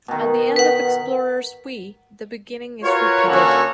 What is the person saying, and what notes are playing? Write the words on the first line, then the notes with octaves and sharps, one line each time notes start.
At the end of "Explorers We" the beginning is repeated.
B2 D#3
B4 F#5
F4 F#4 A#4 B4 C#5
D3 A#3 C#4 F#4 A4 C#5